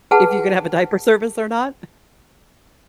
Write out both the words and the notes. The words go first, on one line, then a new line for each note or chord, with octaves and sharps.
If you could have a diaper service or not?
G#4 B4 F#5 A5